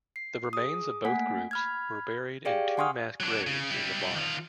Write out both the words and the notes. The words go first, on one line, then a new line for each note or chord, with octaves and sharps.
The remains of both groups were buried in two mass graves in the barn.
C7
G#4 D#6
A3 A#3 F#5 G#5 B6
B5 F6 G#6
G4 G#4 D5 F5 G5
F#5 G#5 C6 C#6 D#6 F6
F#3 D4
C#3
G3 E4
D#3 F4